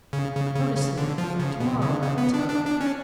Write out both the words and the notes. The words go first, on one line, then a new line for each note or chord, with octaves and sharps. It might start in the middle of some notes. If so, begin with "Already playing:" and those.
Go to sleep; to-morrow I will tell you.'
C#3
C#3
C#3
C#3
D3
F3
C#3
B2
C#3
C#3
B3
D4
D4
D4
C#4